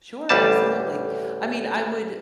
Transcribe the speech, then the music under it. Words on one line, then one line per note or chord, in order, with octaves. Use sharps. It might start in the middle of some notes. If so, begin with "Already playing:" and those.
Sure, absolutely. I mean, I would
A1 D2 G3 A5